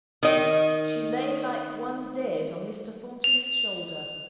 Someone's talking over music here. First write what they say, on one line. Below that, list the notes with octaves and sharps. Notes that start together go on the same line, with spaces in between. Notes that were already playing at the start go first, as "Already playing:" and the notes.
She lay like one dead on Mr. Thornton's shoulder.
D#3 D#5
F7